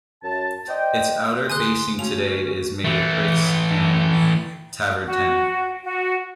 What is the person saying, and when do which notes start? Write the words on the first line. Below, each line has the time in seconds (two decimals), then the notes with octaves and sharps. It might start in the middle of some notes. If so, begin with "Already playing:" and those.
Its outer facing today is made of bricks and travertine.
0.24 F#2 A5
0.68 C5 D5 D#5 G5
1.50 D3 A#3 G#4 G#5 C6 D#6 F#6
1.99 A3 C#4 F#4 G#5 A5 F7
2.84 E3 A3
5.06 F#4
5.84 F#4